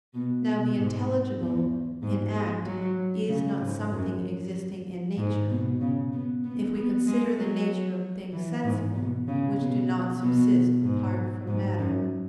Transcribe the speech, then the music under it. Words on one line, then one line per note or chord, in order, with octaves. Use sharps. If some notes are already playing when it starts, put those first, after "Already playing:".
Now the intelligible in act is not something existing in nature; if we consider the nature of things sensible, which do not subsist apart from matter.
B2
B2
G#2
E2
G#2
G#3
F#3
C#3
G#2
F#2
G#2
B2
C#3
B3
B3
B3
G#3
F#3
E3
G#2
B2
C#3
B2
B2
G#2
G#2
F#2